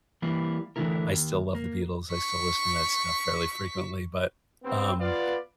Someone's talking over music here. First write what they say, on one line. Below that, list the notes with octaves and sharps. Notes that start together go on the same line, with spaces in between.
I still love the Beatles, I still listen to that stuff fairly frequently, but, um
E3 G3 A#3 E4
D3 E3 F3 A3 E4 A#4
D#2
A#3
C#6 B6
G2 B3 C4
B3 F4 B4 D5 F5